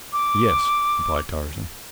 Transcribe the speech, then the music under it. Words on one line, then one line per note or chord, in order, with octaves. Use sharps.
"Yes," replied Tarzan.
D6